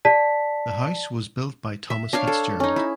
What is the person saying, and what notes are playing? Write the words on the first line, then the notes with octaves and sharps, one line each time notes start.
The house was built by Thomas Fitzgerald.
D5 A5 B6
E5
D4 C#5 F5
A4
C#4 D#4
E4